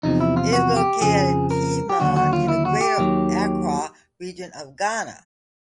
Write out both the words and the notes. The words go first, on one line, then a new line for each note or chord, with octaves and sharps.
It is located at Tema in the Greater Accra Region of Ghana.
E2 C3 F3 D#4
E4
F4
F#4
G4
F2 C#3 F3 G#4
A#4
G4
D#2 D3 F#3 F#4
F#4
F4
E4
F#4
G4
D#2 D#3 F#3